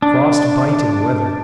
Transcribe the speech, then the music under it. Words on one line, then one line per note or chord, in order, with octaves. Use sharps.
Frostbiting weather!
D4